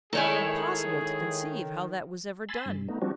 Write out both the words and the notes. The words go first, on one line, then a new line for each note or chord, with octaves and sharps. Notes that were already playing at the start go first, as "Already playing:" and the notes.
Impossible to conceive how that was ever done....
A2 D#3 G#3 E4 G#4 A4 C#5 G#5
G#5 B5 C6 E6 A6
G2
A3 B3 D#4
F3 G3 C4 D4 F#4